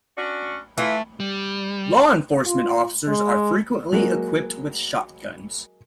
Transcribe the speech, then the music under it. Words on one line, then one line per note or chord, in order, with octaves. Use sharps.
Law enforcement officers are frequently equipped with shotguns.
C#4 D4 F#4
E3 A3 F4
G3
F4
G#3
F#3 G#3 A#3